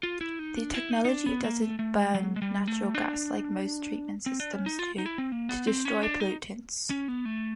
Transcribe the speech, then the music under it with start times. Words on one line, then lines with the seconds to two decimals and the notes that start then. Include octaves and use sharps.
The technology doesn't burn natural gas like most treatment systems do to destroy pollutants.
0.03 F4
0.21 E4
0.39 D#4
0.56 D4
0.74 E4
0.91 D#4
1.05 D#4
1.08 D4
1.26 B3
1.44 A#3
1.62 A3
1.79 A3
1.97 G#3
2.14 F#3
2.36 G#3
2.42 G3
2.67 A3
2.95 D4
4.26 C4
4.40 D4
4.53 C#4
4.66 D#4
4.79 F4
4.98 D#4
5.06 E4
5.18 C4
5.32 A#3
5.49 B3
5.67 C4
5.85 C#4
6.03 D4
6.20 D#4
6.90 C#4
7.08 B3
7.25 A3